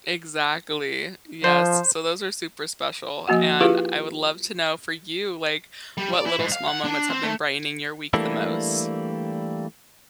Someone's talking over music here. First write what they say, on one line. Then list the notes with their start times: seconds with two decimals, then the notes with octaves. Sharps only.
Exactly, yes, so those are super special, and I would love to know for you, like, what little small moments have been brightening your week the most?
1.44 F3 C5
3.27 F3 A#3 F#4 F#5
3.61 E4 F4 G4 G#4 B4 F5
5.97 G3
6.13 D5
6.26 E4
6.39 G#2
6.52 F5
6.68 F#5
6.85 D4
7.10 C4
7.23 A3
8.13 E3 G3 A3 A#3 D4 E4